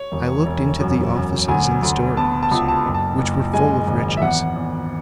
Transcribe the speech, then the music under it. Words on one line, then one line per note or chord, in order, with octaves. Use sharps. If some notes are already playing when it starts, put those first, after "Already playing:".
I looked into the offices and store-rooms, which were full of riches.
Already playing: C#5
E1
E1
F#2
F#2
D2 G#5
D2
B3 A5
A5
C#2
A5
F#1
A5
F#1
G#3 G#5
G#1
E5
E2 F#5
E2